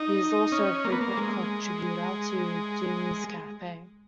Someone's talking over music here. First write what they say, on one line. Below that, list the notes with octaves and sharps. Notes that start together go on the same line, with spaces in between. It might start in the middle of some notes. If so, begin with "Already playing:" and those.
He is also a frequent contributor to "Dooney's Cafe".
Already playing: D#4
C#4
A#3
B3
A#3
G#3